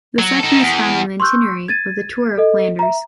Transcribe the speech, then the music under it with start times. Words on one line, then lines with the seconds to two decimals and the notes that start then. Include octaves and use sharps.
The section is found on the itinerary of the Tour of Flanders.
0.18 F#3
0.39 D#4 A4
0.61 E2
1.20 C6 C#6 E6 F#6 G6
1.68 G#6 A6 D#7
2.38 A4 D#5
2.79 E5 A#5